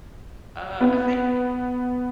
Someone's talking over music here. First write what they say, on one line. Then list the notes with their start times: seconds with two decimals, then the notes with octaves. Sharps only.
Uh, I think
0.81 B3